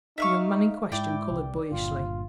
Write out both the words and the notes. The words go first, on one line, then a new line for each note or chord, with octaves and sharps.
The young man in question coloured boyishly.
D#4 E5 F5 C#6
G#2 E4 D5 G5
C2 C3
G1 G2 A#2 F4